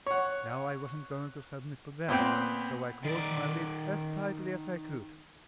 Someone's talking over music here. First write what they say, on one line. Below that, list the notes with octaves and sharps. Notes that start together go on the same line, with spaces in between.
Now I wasn't going to submit to that, so I closed my lips as tightly as I could.
C#5 F#5
A#2 B3 C4 G5
D#3 D5